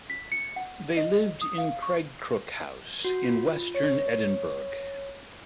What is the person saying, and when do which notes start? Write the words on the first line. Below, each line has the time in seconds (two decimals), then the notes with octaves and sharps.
They lived in Craigcrook House in western Edinburgh.
0.10 B6
0.32 C#7
0.56 F#5
0.97 D#5
1.41 D#6
1.58 F5
1.82 C#6
3.05 F#4
3.24 F4
3.75 C#5